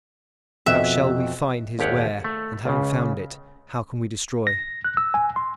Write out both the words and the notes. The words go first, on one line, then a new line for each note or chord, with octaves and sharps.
How shall we find his where; and having found it, how can we destroy?
F2 B2 E5 F#6
G#1 D#2 G4 C#5 F#5
A3
C#2 C#3
A#6
F#6
E6
G#5
C6